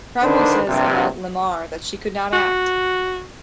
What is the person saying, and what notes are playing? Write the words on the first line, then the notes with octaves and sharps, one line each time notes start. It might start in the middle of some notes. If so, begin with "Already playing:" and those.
Cromwell says about Lamarr that she could not act.
D3 D#3 D4 B4 C5
A#1 G2 C3
F#4